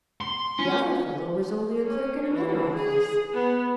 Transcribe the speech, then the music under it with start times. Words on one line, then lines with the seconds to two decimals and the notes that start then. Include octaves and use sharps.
"The other fellow was only a clerk in another office."
0.21 C6
0.59 C#4
1.84 C#4
2.32 E3
2.76 G#4
3.34 B3